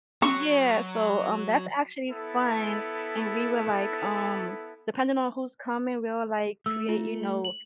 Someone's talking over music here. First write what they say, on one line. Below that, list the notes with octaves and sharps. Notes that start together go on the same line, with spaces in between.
Yeah, so, um, that's actually fun, and we were like, um, depending on who's coming, we'll like create, you know,
F#3 C#6
B3 E4 A4
A3 E6
F4
F#7